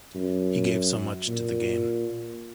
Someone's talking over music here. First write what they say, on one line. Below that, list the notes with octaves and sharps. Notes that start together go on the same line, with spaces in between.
He gave so much to the game.
F#2
A#2